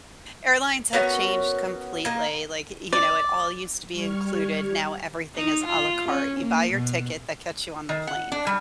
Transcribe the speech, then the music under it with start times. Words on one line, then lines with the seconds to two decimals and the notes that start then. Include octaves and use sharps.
Airlines have changed completely, like, y you know, it all used to be included, now everything is a la carte; you buy your ticket that gets you on the plane,
0.93 B3 C#4 F#4 A#4
2.05 A#3 D#5
2.93 D5
3.91 G3 C#6 F6 G#6
5.35 D#4
5.65 F4
6.09 C#4
6.40 A#3
6.72 B2
7.89 D#3
8.07 F#5
8.32 D4
8.47 G3